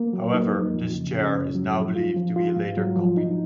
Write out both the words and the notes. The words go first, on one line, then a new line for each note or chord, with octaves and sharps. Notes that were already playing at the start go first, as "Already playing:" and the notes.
However, this chair is now believed to be a later copy.
Already playing: A#3
F#3
D#4
F2
F3
C#3
C#4
F#2
F#3
F3
F4
F3
F4
G#2
F#3
F3
D#4